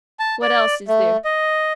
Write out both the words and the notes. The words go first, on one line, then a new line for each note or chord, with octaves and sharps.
"What else is there?"
A5
D5
A3
D#5